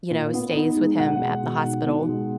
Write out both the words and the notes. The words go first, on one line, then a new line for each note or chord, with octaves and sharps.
you know, stays with him at the hospital
A#2
B3
D#4
G#3
B2 F#5
G#3
B2
D#4
B2
G#3